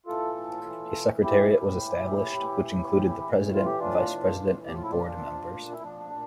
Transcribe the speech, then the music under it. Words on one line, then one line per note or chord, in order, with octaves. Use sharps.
A secretariat was established which included the president, vice president and board members.
E3 F4 A4
A2
E3
A2
E3 E4 G4
A2
E3
A2
E3
A2
E3
A2
E3 F4
G4
A2 D4 F4
E3
A2
F3 G4
F4
E4
D4 F4
A#2
F3
A#2
E4
F3 D4
A#2